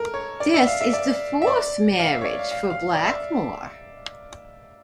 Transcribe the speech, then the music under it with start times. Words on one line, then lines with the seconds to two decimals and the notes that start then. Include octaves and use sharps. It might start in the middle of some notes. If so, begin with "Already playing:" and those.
This is the fourth marriage for Blackmore.
Already playing: A4 A#4
0.14 C#5
0.40 D5
0.54 E5
0.67 F5
0.81 E5
0.93 D5
1.42 E5
1.47 D5
1.99 F5
2.12 E5
2.21 C#5
2.25 D5
2.39 F5
2.51 F5
2.70 F5
2.94 D5
3.05 E5